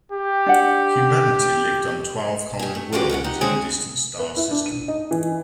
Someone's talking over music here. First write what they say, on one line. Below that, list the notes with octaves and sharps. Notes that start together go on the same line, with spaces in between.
Humanity lived on twelve colony worlds in a distant star system.
G4
D4 F#5
G4 G#5
A3
F3 G#3 C#4 D#4 F#4 G4
F2 C3 G#3 F#5
D#4 G4 F#5
D3 G#3 C4 C#4 G#4
B4
E4
D4
D#7
D#4
E3